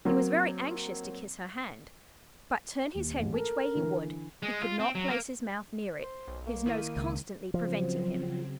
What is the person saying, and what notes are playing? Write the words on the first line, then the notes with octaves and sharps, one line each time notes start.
He was very anxious to kiss her hand; but turn his head which way he would, he could not place his mouth near it, his nose constantly preventing him.
F#3 A#3 C4
D#1
A1 G#2
A4 A#4
D3 E3
G#3
F4
C4
F#3
A#3
C5
B1
A#3
D#3 E4 D#7
C#2
C#3 F3 F#3 C4